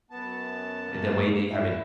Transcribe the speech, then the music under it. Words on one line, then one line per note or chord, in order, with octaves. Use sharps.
The way that you have it
F#2 B3 A5
A#3
E4